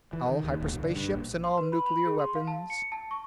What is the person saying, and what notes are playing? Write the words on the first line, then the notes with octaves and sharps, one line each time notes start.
All hyperspace ships, and all nuclear weapons....
E3
D#3
D#2
D1
B1
D3
G2
A#1
C6
B4
B5
B5
G#4
C6
F5
A5
C#7
A5
C#6